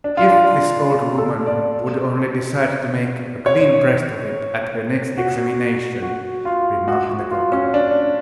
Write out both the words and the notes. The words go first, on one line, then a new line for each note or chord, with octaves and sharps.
"If this old woman would only decide to make a clean breast of it at her next examination!" remarked Lecoq.
D4
F4
D4
F4
A4
D5
C#5
F#4
F#4
F4
F#4
F#4
F4
C#4
D4